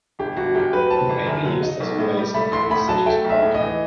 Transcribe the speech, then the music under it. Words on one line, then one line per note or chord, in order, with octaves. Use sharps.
It may be used as a glaze on foods, such as poultry.
G1 G4
G1 F#4
F#2 G4
F#3 B4
C4 A5
G1
F#2
F#3
D#4
B1
A2
G3
A3 B5
A1 C6
A2 B5
F#3 A5
A3 G5
B1
E5
A2
D#5
E3